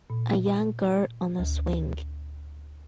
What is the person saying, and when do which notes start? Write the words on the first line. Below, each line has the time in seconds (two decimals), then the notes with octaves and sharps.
A young girl on a swing.
0.10 A#2
1.39 D2